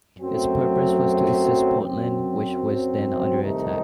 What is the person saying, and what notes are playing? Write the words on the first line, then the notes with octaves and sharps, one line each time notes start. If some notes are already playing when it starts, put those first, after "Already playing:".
Its purpose was to assist Poland, which was then under attack.
F#2 F#3 A3 C4
F#2 F#3 C4
C2 C3 D#3 A3 D#4